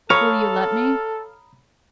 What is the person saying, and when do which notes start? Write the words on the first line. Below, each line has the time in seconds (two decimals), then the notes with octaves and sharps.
"Will you let me?"
0.10 A4 C#5 F5 A#5 B5 D#6